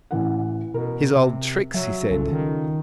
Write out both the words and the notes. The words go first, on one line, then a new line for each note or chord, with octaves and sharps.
"His old tricks," he said.
A1 E3 F#5
B2 A#4
C3
F#3 E5
C2 C#3 F4 A4
D#3